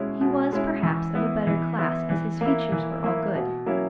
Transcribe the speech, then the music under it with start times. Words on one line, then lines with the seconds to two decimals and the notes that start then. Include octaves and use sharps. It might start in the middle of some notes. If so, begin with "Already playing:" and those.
He was, perhaps, of a better class, as his features were all good.
Already playing: B2 G#3 C#4 E4
0.21 B2
0.52 G#3 C#4 E4
0.83 E3
1.15 B3 E4
1.47 E3
1.78 B3 E4
2.10 E3
2.41 A#3 E4
2.72 E3
3.04 A#3 E4
3.35 B2
3.66 F#3 A#3 C#4 E4